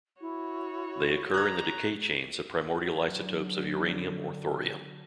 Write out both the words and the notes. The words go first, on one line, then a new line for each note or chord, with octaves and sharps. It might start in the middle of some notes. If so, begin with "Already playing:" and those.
They occur in the decay chains of primordial isotopes of uranium or thorium.
E4 F#4 C#5
A#5 F#6 G#6
D3 F#3